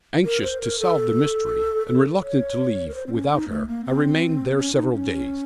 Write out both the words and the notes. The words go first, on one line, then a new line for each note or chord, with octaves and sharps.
Anxious to solve the mystery, and reluctant to leave without her, I remained there several days.
A#4
C5
A#4
A4
A4
C#5
A#4
C5
C4
C#4
D#4
A3
A#3
C4
C#4
D#4
C#4